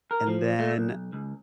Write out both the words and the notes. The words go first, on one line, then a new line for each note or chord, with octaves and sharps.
And then,
A#4
F3
A3
B1
C#2